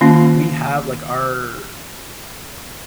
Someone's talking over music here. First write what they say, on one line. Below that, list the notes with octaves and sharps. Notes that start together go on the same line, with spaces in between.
we have, like, our,
D#3 A#3 C#4 F4